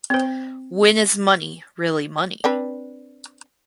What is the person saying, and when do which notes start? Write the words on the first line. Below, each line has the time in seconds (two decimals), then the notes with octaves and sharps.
When is money really money?
0.10 C4 C5
2.44 C4 D4 B4